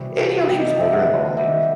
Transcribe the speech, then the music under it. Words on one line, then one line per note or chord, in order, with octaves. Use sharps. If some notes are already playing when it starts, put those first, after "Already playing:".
And, you know, she's older and lonely.
Already playing: C3 E3 G3 B3 F#4
G3 B3 D#4 G5
D#5
E5
F#5
D#3 G3 B3 E5